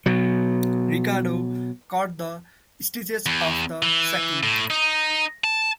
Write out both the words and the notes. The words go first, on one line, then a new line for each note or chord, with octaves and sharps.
Ricardo cut the stitches of the sacking.
B2 F#3
E2
E3
A2
D#4
A5